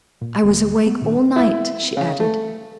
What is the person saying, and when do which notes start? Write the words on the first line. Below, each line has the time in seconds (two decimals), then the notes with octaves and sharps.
"I was awake all night," she added.
0.21 A#2
0.42 D1 D2 A#3
0.86 B3
1.02 A#2 D#3 D4
1.36 E4
1.97 C#3
2.20 A3